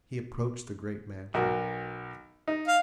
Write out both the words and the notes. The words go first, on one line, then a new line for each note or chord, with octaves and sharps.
He approached the great mansion.
B1 F#4 A#4
D#4
F5